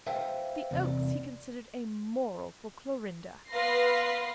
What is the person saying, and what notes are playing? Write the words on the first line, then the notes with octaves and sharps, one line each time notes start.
The Oaks he considered 'a moral' for Clorinda.
B4 C5 E5 F5 G5
E2 C3 D5
B3 B4 F5 C6 A#6 C7